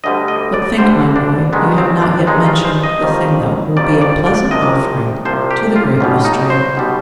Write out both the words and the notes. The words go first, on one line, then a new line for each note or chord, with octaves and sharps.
"But think, my boy, you have not yet mentioned the thing that will be a pleasant offering to the Great Mystery."
D2 D3 G3 D#5
D#5
D5
D2 D3 G3 C5
D4
G2 D#3 G#3 B3
C4
D4
G2 D#3 G#3 D#4
F4
C5
D#5
F2 D#3 G3
F2 D#3 G3 D5
D5
D5
C2 C3 F3 D#5
C2 C3 F3 C5
G4
F4
B1 B2 G3 F4
D#4
C5
B1 B2 G3